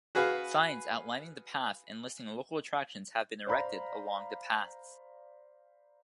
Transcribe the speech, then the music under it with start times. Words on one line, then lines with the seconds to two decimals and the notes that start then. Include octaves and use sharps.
Signs outlining the path and listing local attractions have been erected along the paths.
0.15 F#4 G#4 B4 F5
3.47 C5 D5 F5 A#5 B5